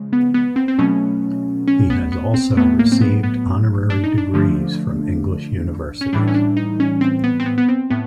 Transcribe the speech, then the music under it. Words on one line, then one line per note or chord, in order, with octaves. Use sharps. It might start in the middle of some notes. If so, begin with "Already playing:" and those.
He has also received honorary degrees from English universities.
Already playing: C#3 F3 G#3
B3
B3
C4
C4
B2 F#3 A3 C#4
C#4
B3
B3
C4
A2 F#3 A3 B3
A#3
C4
B3
B3
D4
D#4
D4
D3 F3 A3
C#4
A2 E3 G3 D4
C#4
D4
D#4
C#4
C4
B3
C4
B3
B3
C4
A2 B3